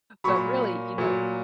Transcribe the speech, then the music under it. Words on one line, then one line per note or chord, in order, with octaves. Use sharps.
But really, you know,
A#2 F#3 B5 C#6
A#2 F#3